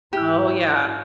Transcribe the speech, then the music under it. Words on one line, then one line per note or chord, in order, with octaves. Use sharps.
Oh, yeah.
G#2 E4 G4